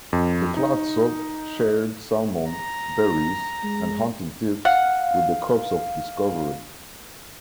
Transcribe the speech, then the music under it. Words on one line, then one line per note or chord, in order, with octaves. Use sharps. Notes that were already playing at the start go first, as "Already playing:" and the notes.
The Clatsop shared salmon, berries, and hunting tips with the Corps of Discovery.
F2
D#4
A#5
G#3
F5 F#5